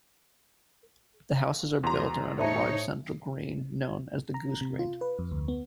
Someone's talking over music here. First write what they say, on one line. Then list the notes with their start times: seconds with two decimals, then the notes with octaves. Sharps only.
The houses are built around a large central green, known as the Goosegreen.
1.37 F5
1.83 E2 F#4 G#4 A#5 C6
2.38 A2 D#4 C5 C#5 E5 A5
4.34 A#5
4.61 C3
4.79 F4
5.01 B4
5.19 F2
5.32 D2
5.48 B3